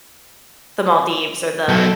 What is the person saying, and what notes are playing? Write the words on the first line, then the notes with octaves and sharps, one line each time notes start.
the Maldives or the,
F#3 B3 A4